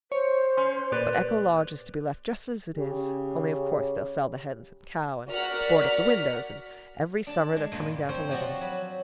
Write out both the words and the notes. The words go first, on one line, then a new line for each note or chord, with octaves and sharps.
But Echo Lodge is to be left just as it is. . . only of course they'll sell the hens and cow, and board up the windows . . . and every summer they're coming down to live in it.
C5 C#5
C#4 C6
A#2 G4 B4 D5
C#3 G4
F#4 A#4 D5 F#5 F6 B6
D4 A5
G#3
G2 A#2 A#3
F3 C4 C5 C#5 C6
F3 G3 F#4 G4
F#3 B5